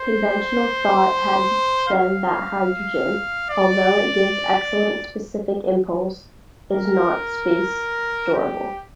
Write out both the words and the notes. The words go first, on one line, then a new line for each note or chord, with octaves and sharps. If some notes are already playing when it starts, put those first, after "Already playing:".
Conventional thought has been that hydrogen-although it gives excellent specific impulse-is not space storable.
Already playing: C5
F5
D5
A#4
G4